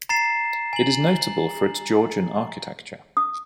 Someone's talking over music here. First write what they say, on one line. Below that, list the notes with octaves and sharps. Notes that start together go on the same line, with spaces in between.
It is notable for its Georgian architecture.
A#5 A6 C7 E7
G#5 F#7
D#6